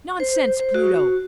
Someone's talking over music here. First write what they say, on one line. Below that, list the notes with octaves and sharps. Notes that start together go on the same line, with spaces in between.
Nonsense, Pluto!
C5
C5
F#4